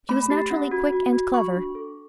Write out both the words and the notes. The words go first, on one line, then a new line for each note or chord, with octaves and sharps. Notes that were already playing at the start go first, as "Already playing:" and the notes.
She was naturally quick and clever.
A3 B5
G4
C#4
F#4
F#4
F#4
F#4 C#6
D4
A4